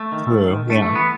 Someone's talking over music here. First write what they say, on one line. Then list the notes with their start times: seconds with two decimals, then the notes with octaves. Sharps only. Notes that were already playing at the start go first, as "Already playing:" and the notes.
True, yeah.
Already playing: A3
0.12 D#3
0.31 G#2
0.50 D#3
0.70 G2 A3
0.82 A3
0.89 E3
0.95 B3